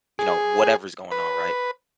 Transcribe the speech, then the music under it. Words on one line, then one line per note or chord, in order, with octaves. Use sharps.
you know, whatever's going on, right?
G#4
B4